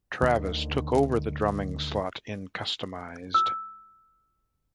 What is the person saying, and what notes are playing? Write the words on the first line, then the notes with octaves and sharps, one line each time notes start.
Travis took over the drumming slot in Kustomized.
D2 D3 D#3
E6